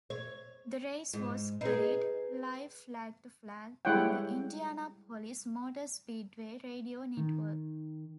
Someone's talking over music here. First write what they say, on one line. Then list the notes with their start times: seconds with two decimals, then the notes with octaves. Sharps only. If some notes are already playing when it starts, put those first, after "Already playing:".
The race was carried live flag-to-flag on the Indianapolis Motor Speedway Radio Network.
0.10 C#5
1.13 G#2
1.61 D#4 G#4 B4 C7
3.85 G3 G#3 E4 C#5 F#5 G5
7.17 D#3